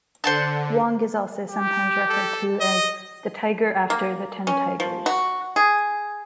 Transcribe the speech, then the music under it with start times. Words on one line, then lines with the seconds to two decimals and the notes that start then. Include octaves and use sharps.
Wong is also sometimes referred to as the "Tiger after the Ten Tigers".
0.24 D3 C5 F#5 A5
1.50 G4
2.09 A4
2.60 D#5
3.90 A#3
4.47 C#4
4.80 F3
5.06 F#4
5.56 G#4